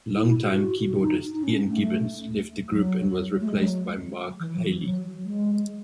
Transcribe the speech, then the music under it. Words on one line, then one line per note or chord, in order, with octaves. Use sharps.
Longtime keyboardist Ian Gibbons left the group and was replaced by Mark Haley.
E4
E4
F#4
F#4
D#4
D#4
C#4
A3
F#3
A3
G#3
F#3
E3
F#3
E3
F#3
G#3